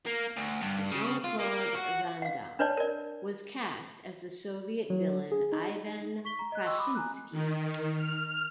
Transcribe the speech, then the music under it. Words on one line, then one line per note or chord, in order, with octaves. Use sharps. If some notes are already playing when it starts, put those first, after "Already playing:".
Jean-Claude Van Damme was cast as the Soviet villain Ivan Kraschinsky.
A#3
D2
G2
C#3
F4
A#3
F#4
F5 F#5
D4 B4 C#5 D5 A5
A#4 D5
F#3
G#4
D#4
C#6 B6 G7
A#5
D#5 F#6
D#5 G5 C6 C#6 E6
B5 D6 D#6
G#5 A#5 F#6
D#3
F6